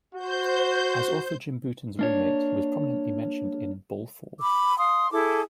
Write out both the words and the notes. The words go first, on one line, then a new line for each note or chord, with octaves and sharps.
As author Jim Bouton's roommate, he was prominently mentioned in "Ball Four".
F#4 C5 G6
A#3 D4 C#5
B5 D6 E6
F5 C6 D#6
E4 G#4 A4 D6